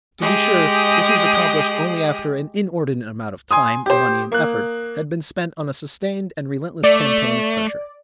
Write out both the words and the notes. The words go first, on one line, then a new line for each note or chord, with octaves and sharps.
To be sure this was accomplished only after an inordinate amount of time, money and effort had been spent on a sustained and relentless campaign of pressure.
G#3 G4 G#4 D#5
G#5 C6 D#6
G4 C5
A#3 F#6
A3 D5